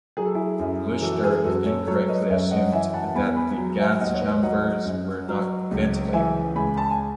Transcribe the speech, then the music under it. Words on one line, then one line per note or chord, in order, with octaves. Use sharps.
Leuchter incorrectly assumed that the gas chambers were not ventilated.
F#3 G#4
A4
E4 G#4
F#2
E3 F#4 A4
G#4 B4
F#2 F#4 A4
A4 C#5
F#3 A4 C#5
B4 D#5
F#2 C#5 E5
D#5 F#5
E3 E5 G#5
F#5 A5
E2 G#5 B5
G#5 B5
F#3
E5 G#5
D#2 D#5 F#5
C#5
B4 D#5
F#3 D#5 F#5
F#2
F#3
C#2
E3 E5 G#5
C#2 G#5 B5
A5
G#5